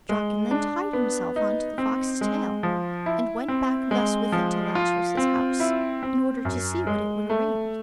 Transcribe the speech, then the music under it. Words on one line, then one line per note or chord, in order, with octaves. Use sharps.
The Draken then tied himself on to the fox's tail, and went back thus with it to Lazarus's house, in order to see what it would arrange.
G#3
D4
B3
D#4
C4
G#3
F3
E4
C4
G#3
F3
F4
C4
E4
C4
F#2
G#3
A3